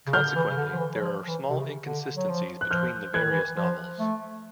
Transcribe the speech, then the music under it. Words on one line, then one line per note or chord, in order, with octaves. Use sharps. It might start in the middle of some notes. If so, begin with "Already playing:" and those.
Consequently, there are small inconsistencies between the various novels.
C#3
D3 F6 G6
E3
C#3
D3
F3
E3
F#3
F3
E3
C3
C#3
D3
F#3
F3
F#6
F3 F6 G6
E3 F#6 G#6
D#3
E3
F3
A3